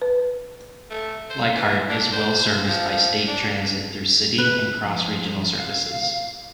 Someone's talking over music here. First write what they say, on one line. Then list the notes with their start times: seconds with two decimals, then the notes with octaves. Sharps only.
Leichhardt is well serviced by State Transit through city and cross regional services.
0.02 B4
0.90 A3
1.30 C5
1.55 E3
1.89 D4
2.12 C5
2.67 F3
3.28 D4
4.38 B4
4.86 F3
5.59 F5